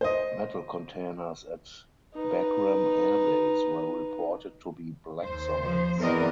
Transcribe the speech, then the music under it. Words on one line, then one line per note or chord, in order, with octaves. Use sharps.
Metal containers at Bagram Air Base were reported to be black sites.
C5 D#5
D#4 B4
D#2 C5
F3
E2 E3 C4 A#4 D5 D#5